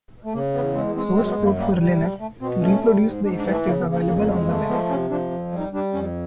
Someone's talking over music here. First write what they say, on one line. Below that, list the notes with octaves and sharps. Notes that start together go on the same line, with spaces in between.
Source code for Linux to reproduce the effect is available on the web.
A3
C#3 A#3
E2 B3
G#3 C4
G#3 C4
F#2 C4
B3
F#2
A#3
G3 A#3
G3
A3
A3
B2 C4
A3 C#4
G3
G#2
G#2 D4
D4
E3
A3
C#3 A#3
B3
C#3
A#3
F2 A#3
A#3
G#3 A3
A3 A#3
F3 B3
C3 C#4
F3 D4
F2
G3
D#4
G3 D4
F2 C#4